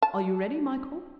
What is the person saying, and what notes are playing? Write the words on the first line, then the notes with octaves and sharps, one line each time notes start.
"Are you ready, Michael?"
A5